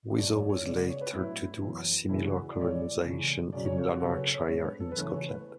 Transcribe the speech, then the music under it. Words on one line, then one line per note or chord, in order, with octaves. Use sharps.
Wizo was later to do a similar colonisation in Lanarkshire in Scotland.
F#2 D3 A3 D5
C#5
C#5
C#3 G#3 B3 D5
D5
C#5
B4
A2 F#3 B3 E4
F#2 E3 B3
E2 C#3 E3 G#3 B3 E4
F#4
D5
A2 E3 G#3 C#5
D5
C#3 E3 A3
F#2 C#3 F#3 D5
C#5
C#5
F#4
C#3 F#3 B3 A4
C#5
B4
C#5
G#2 G#3 B3 C#5
B4
A4
B4
E2 C#3 E3 A3 C#5
C#5
B4